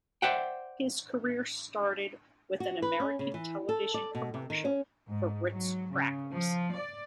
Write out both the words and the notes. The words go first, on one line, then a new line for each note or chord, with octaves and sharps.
His career started with an American television commercial for Ritz Crackers.
C5 D5 E5 F#5 G5
F#4
B4
C#4
C#3
E3
A4
D5
B2
C3
D#3
C#4
G#2
F#3
C#3
F3
D5